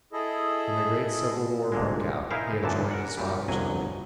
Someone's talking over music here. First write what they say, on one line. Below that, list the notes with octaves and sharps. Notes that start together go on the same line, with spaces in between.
When the great Civil War broke out he had joined his father's army.
E4 G#4 A4 D#5
C2 A#2 D3 G#3
D#4 E4 G#4 A#4 C5 F5
F#2 A#2 D3 E3 B3 A5
A#4 F#5
F#2 A#2 G3
G1 C2 F2 F#3 G#5